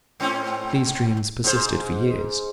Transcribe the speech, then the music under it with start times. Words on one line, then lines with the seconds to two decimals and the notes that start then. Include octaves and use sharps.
These dreams persisted for years.
0.20 G#2 C4 C#4
1.44 G#2 C5